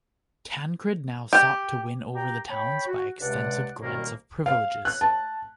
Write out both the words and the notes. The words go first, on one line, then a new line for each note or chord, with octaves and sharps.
Tancred now sought to win over the towns by extensive grants of privileges.
G4
G4 G5 A#5
C#5 G5 B5
F#4
C#2 G2 C3 G#3 D5 F#5
C2 F#2 B2 D#3 G3 A#3
F5
F#6
A5